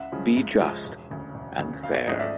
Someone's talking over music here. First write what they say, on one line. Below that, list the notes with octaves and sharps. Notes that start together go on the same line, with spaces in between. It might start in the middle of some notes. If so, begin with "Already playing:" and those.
Be just and fair.
Already playing: C#2 E5 F#5
C#3 F3 G#3 C#4
C#2
C#3 F3 G#3 C#4
E1
D2 C#3
E1
D2 C#3
G#1 F5
E5
G#2 F3 A3 C#4 D#5
D5 E5